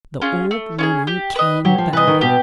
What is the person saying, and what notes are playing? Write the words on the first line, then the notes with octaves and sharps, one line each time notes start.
The old woman came back.
C#4 F4 G#4
A3
C#4 F4 G#4
G4
B4 D#5
F#3 G4
F3
E3 B4 D#5
D#3
B2 G4